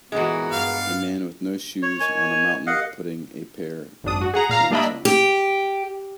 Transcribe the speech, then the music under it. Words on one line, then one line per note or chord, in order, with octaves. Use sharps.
A man with no shoes on a mountain putting a pair of pants on.
A#2 E3 G#3 B3 F#4
G2 F5
C#5
A#4 C#5 D#5 G#5 C#6
G4 A#4 D#5 F5 F#5
G#1 F#2 D4 D#6
F#4
G#4 F#5 A#5
A#2 F5 A#5
G3 A#3 D4 D#5 E5 B5
G4